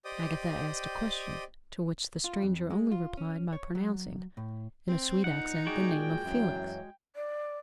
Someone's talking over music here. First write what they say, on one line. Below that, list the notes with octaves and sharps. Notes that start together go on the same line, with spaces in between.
Agatha asked a question, to which the stranger only replied by pronouncing, in a sweet accent, the name of Felix.
G4 C5 D5 D#5 G5 D#6
F4
F2
G#3
F4
C#4
C#5
F#3
A2
C4
A#2 D#4 F#5
A#2 G#3 F#4 G#4 D5 G5
F#2 E3 F#3
D5